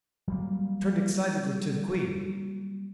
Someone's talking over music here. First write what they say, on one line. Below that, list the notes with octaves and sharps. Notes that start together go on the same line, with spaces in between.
He turned excitedly to the Queen.
F#3 G3 A#3